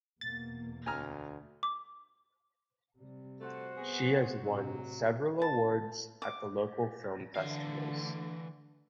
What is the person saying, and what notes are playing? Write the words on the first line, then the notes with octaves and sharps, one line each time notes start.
She has won several awards at the local film festivals.
E2 B2 A#3 A6
D2 G#5 A#5 F6
D6
C3 G3
A3 F#4 C5
B3 G#4
A2 C3 F#3
A5
D6
D3 E3 A3 F5